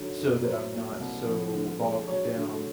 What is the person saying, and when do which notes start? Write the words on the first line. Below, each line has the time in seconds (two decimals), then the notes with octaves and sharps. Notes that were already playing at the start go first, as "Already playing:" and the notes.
so that I'm not so bogged down
Already playing: G#2 D3 F#3
0.18 F#2
0.45 F#3 C5
0.72 A#2
0.99 C2
1.26 F3
1.53 D3
1.80 G#3
2.08 F#3 C#5
2.35 D3